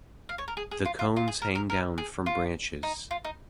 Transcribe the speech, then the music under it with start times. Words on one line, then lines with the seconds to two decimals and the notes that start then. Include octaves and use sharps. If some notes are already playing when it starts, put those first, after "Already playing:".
The cones hang down from branches.
0.29 F5
0.38 C#5
0.48 A#4
0.57 G#4
0.71 G#4
0.85 F4
0.99 F4
1.16 F4
1.28 G#4
1.42 A#4
1.55 A#4
1.70 A#4
1.98 G#4
2.26 F4
2.83 D#4
3.11 F4
3.25 D#4